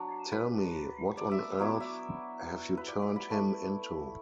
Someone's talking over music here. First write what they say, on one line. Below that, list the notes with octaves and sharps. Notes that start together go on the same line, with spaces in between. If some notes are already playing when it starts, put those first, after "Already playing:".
Tell me, what on earth have you turned him into?
Already playing: F#3 D4
B4
D5
E5
F#3 B3 E4 D5
E5
B4
D5
B4
B5
A3 E4 B5